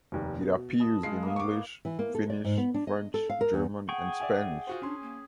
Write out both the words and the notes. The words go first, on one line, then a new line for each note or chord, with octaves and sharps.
It appears in English, Finnish, French, German and Spanish.
F1 D#2
B2
D#5 A5 B5
G#3 F5 C7
A#3 B3
C#6 D6
E3
A#3
A4
D5
G#2
B3
D4
D#5
A4
F5
A#4
E2
G#4 F#5 G5 C#6
D5 E5 G#5
F4 F#4 C5
C#4 D4 C6
A#3